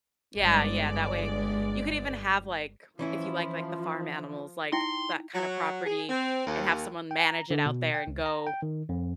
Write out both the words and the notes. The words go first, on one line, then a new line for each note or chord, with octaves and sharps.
Yeah, yeah, that way you could even have, like, if you like, like, the farm animals like that kinda property and have someone manage it out there and go
G1 G#3 D5
E3 F3 C#4 E4
D#4 E4 G5 C6
F#3
G#4
C4
D#2
G5
A#5
D3
B2
G5
C#2
A#5
G5
D#3
F2